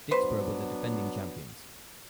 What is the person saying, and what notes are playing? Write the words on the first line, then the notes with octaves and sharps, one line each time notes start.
Dicksboro were the defending champions.
F#3 B3 D4 B4 C5